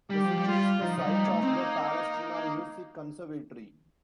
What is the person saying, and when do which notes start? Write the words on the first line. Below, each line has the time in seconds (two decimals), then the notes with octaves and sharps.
The city is the site of the Palestrina music conservatory.
0.10 G3 G4
0.24 F3
0.38 G3
0.45 F4
0.81 F3 D#4
0.98 F3
1.06 G3
1.24 A#3
1.29 A3
1.43 C4
1.53 A#3